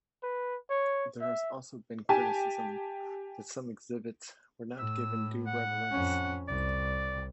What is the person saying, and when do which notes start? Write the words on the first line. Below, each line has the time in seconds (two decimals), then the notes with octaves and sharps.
There has also been criticism that some exhibits were not given due reverence.
0.23 B4
0.70 C#5
1.21 E5
2.09 G4 G#5 A5
4.79 A2 E6
5.47 F#5
5.91 F2 C#4
6.48 C2 D5